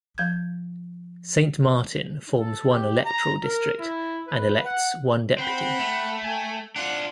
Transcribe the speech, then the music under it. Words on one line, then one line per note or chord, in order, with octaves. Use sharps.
Saint Martin forms one electoral district, and elects one deputy.
F3 G6 G#6
A4
G4
A#5
A#4
E4
B4
F#5
C4 F#5 G5 B5
A3
G5 G#5
D4 F4 F#5